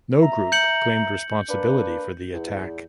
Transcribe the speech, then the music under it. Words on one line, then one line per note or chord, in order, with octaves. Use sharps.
No group claimed responsibility for the attack.
E5 A#5
G6 C#7 F#7
A#3 D4 B4
E2